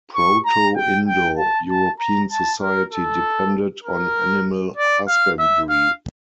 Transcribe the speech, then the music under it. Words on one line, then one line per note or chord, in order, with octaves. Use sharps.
Proto-Indo-European society depended on animal husbandry.
C#6
A#5
G5
G5
A5
A5
A#5
A5
A#4
A4
A#4
D5
F5
E5
F5